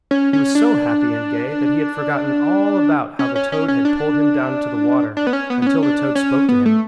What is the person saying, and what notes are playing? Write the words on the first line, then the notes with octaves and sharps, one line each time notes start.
He was so happy and gay that he had forgotten all about how the toad had pulled him down to the water until the toad spoke to him.
C#4
C#4
D4
C#4
C#4
C#4
C#4
D4
D4
B3
C#4
B3
B3
C#4
D4
C#4
B3
A3